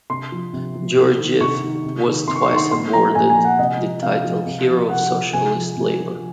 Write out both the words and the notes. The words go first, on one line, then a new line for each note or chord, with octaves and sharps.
Georgiev was twice awarded the title Hero of Socialist Labour.
C3 C6
F3
C3
F3
C3
D#3
C3 C#6
D#3
C3
D#3
C3 C6
C#6
C6
D#3 C#6
C6
A#2 C6
F3 A#5
A#2 G#5
G#5
F3
F#5
C3 D#5
F3
C3 F5
F3
C3
F3
C3 F#5
F3
C3 G#5
F3
C3
F3